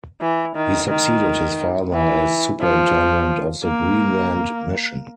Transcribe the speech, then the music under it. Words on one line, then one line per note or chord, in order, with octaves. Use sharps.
He succeeded his father as superintendent of the Greenland mission.
E3
D#3
D#3
E3
F3
A#3